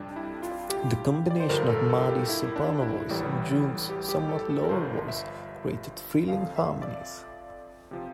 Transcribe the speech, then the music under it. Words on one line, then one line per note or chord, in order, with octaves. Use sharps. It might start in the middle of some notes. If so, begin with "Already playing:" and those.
The combination of Maddy's soprano voice and June's somewhat lower voice created thrilling harmonies.
Already playing: F2 C3 G3 D4
E4
F4
G4
D5
C5
G1 G2 D3 F3 A#4
A4
A4
G4
E4
D4
E4
A1 A2 E3 G3
G4
G4
A4
A4
A#4
G1 G2 F3 C5
E5
F2 D3 F3 F5
E5
D5
C3 F3